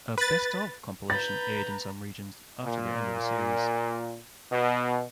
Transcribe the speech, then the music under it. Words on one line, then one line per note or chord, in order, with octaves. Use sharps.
A "Best Of" compilation aired in some regions after the end of the series.
B4 A6
B4 A#5 B5 G6 A6
A#2
B2